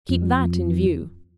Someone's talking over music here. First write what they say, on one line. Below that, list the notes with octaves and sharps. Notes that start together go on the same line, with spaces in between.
Keep that in view.
F2